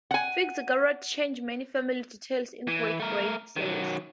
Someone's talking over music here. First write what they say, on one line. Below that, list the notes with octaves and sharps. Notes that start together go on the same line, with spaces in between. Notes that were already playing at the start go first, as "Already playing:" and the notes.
Fitzgerald changed many family details in the Great Brain series.
F#5 G#5
E3
A3 A#4
D#3 F#3